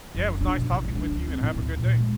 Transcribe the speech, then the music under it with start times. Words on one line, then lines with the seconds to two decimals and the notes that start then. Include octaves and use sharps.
Yeah, it was nice talking with you, and have a good day.
0.15 F#1
0.41 D4
0.54 B2
0.70 A1
0.83 C#2
0.95 D4
1.10 D2
1.27 C4
1.41 A2
1.55 D2
1.77 A#2
1.98 G#3